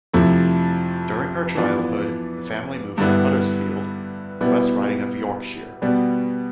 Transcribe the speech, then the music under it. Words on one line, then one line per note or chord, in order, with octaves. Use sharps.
During her childhood the family moved to Huddersfield, West Riding of Yorkshire.
F2 C3 F3 A3 E4
E3 B3 D4 F4
G2 D3 G3 B3 E4
B2 G3 B3 E4
B2 G3 B3